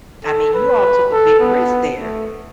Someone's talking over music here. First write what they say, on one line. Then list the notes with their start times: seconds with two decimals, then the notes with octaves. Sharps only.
I mean, you all took a big risk there.
0.25 A4
0.54 B4
1.12 A4
1.40 B3
1.98 A3